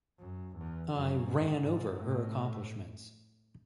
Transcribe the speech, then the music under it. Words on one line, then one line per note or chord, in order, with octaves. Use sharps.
I ran over her accomplishments.
F#2
E2
F#2
G#2
G#2
A2